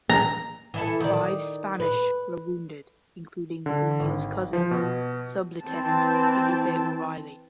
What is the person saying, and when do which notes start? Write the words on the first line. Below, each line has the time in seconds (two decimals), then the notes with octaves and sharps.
Five Spanish were wounded, including O'Neill's cousin, Sublieutenant Felipe O'Reilly.
0.10 A#5
0.74 E3 E4 A4
1.00 D#3 D5
1.80 B4
3.66 D3
4.00 G#1
4.53 F3
4.71 B2
5.64 E3 C4 A5